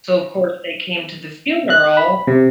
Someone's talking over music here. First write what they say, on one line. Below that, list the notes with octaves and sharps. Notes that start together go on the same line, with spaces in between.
so of course they came to the funeral
F#6
B5
C3